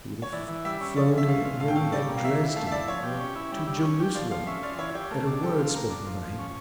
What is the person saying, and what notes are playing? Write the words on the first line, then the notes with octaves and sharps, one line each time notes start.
She would have flown to him at Dresden, or to Jerusalem, at a word spoken by him.
C#5
E3 D5
E3
G3 E5
C#4
F3 D5
F3 E5
C#4 F5
F4
A2 F5
G5
C#4 F5
G3 D5
A#3
F5
E3 E5
E3
A3 F5
E5
E4 D5
F3 C#5
G4
C#4
E4
G3
G3
C#4
G4
F3 D5
F3 F5
C#4 E5
F4 D5
E3 C#5
G4 C#5
A3 A#4
D4
G3 A4
F4
A#3
D4
F3
F3
C#4